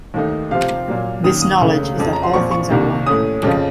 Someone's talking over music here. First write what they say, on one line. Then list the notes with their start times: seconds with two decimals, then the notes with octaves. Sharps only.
This knowledge is that all things are one.
0.14 D#2 D#3 A3 D#4
0.51 C3 F3 C4 F5
0.88 A#2 F#3 A#3
1.24 F#2 D#3 A#3 D#6
1.42 D#6
1.61 C#2 C#3 A3
1.97 F2 C#3 F3
2.13 A#5
2.23 C6
2.33 A#2 F3 C4 C#6
2.51 C#6
2.70 C2 C3 D#3 A#3
3.06 A2 A3 C#4 D#6
3.43 F2 C#3 F3